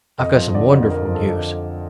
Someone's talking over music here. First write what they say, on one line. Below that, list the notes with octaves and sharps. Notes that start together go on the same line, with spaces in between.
"I've got some wonderful news."
F2 D#5
F3
D3 D5
F2
F2 A#4
F3
A4